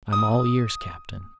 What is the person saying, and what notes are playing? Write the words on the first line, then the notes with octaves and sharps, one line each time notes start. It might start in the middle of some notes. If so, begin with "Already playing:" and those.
"I'm all ears, captain."
D#6